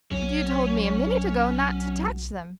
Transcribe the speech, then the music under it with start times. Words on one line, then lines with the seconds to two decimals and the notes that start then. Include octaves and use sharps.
"But you told me, a minute ago, not to touch them."
0.11 B1 F#3 C#4